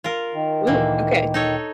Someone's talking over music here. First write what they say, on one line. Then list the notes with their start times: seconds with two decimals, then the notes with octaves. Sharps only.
Ooh, okay.
0.04 F4 A#4
0.34 D#3
0.67 D2 A#2 D3 E3 A#3
1.34 D#4 A4 C#5